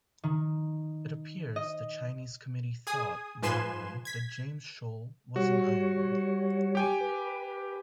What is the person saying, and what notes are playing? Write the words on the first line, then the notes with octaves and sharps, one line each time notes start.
It appears the Chinese committee thought, wrongly that James Shoal was an island.
D#3
D#5
G#4 G#5 D#6
G#2 F3 B4 G#5 C6 E7
G#6 B6
G3 F#4 C#5
G4 G5 G#5
B4